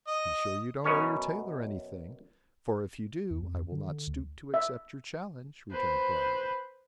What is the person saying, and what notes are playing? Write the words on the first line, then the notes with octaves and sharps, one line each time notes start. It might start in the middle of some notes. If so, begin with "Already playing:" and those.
"Be sure you don't owe your tailor any thing, for if you do, I will not stoop to accept your challenge," returned Briarly.
D#5
F#2 B2 C#4 C#5
E2
F2
F2
D3
D3
D2
E5
B4 C5